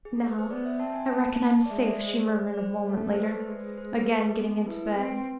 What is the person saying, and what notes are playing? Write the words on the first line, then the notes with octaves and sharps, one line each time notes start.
"Now, I reckon I'm safe," she murmured a moment later, again getting into bed.
G#4
A4
B4
C5
B3 D5
E5
C4 A5
G#5
B3 A5
A5
A5
D5
G#3 E5
D5
C5
C5
D5
D5
C5
A3 A4
C5
B4
D5
C5
G#3 B4
C5
B4
A3 A4
G#4
B3
A4
E4 B4
C4